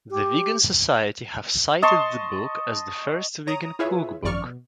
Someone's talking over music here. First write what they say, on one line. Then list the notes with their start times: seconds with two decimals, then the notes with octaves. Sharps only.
The Vegan Society have cited the book as the first vegan cookbook.
0.10 G4
1.82 D#5 A5 C6 C#6
3.47 C#5 A#5 D#6
3.79 E4 F4 G#4 B4 C#5 E5
4.23 G#1 F#2 F3 D5 C#6 F6
4.44 B2